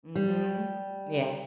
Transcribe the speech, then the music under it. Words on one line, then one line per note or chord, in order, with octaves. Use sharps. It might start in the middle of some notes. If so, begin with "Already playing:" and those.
Mhm, yeah.
G3